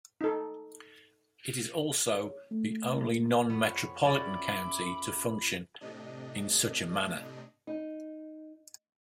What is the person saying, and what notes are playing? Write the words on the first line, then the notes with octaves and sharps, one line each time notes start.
It is also the only non-metropolitan county to function in such a manner.
D#4 A4
C#5
A3
F2 C#3 F3 B3 C#5 B5
C#4 F#4 D5 E5 B5 D6
A2 C3 D4 D#5
D#4